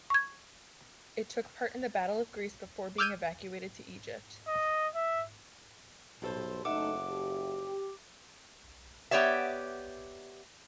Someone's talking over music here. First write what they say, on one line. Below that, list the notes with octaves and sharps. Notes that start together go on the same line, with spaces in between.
It took part in the Battle of Greece before being evacuated to Egypt.
C#6 G#6
D6 E6 F6 G6 G#6 D#7
D#5
E5
B1 G2 A4 C5
F#1 A3 D#4 A4 E5 F#5 D6
G4
B3 G4 C#5 D5 E5